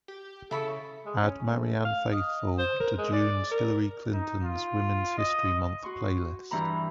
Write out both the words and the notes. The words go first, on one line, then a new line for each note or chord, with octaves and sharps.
Add Marianne Faithfull to june's Hillary Clinton's Women's History Month Playlist.
G4
C#3 E4 A4 B5 C#6
G#3
C#4
A3
A3
F5
D#5
C5
A#4
G#3
D5
A#4
D#4
F4
D#5
F#4 C6 C#6
G2 E3 G3 A#5 B5